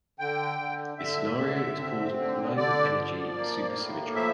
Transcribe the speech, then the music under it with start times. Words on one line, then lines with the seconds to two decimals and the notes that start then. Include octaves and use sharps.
This scenario is called "low energy supersymmetry".
0.19 D3 G5
0.59 D3
0.98 D3 E5
1.38 D3
1.78 C4
2.17 D3
2.56 D3 D5
2.96 F3
3.36 A#3
3.75 A2
4.15 F3 E5